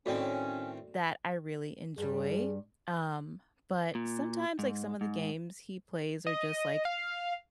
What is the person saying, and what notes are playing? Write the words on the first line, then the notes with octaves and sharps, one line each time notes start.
that I really enjoy. Um, but sometimes, like, some of the games he plays are just, like,
A2 D#3 C4 C#4 F#4 A4 D5
G2 G3 G#4
A#2
G#2
G#2
D#5
F5